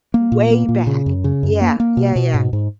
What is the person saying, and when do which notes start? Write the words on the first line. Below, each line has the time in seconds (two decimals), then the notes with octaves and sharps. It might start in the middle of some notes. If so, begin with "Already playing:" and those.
Way back. Yeah. Yeah, yeah.
0.14 A#3
0.32 A#2
0.51 A#3
0.69 A#2
0.87 C#3
1.06 F#2
1.24 C#3
1.43 F#2
1.61 A#3
1.80 A#3
1.97 B2
2.16 B2
2.34 G#2
2.53 G#2